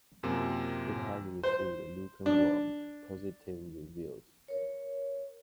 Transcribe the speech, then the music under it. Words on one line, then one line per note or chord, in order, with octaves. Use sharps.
It has received lukewarm to positive reviews.
F#2 C3 A#3 F4
C5
D4
A#4 C#5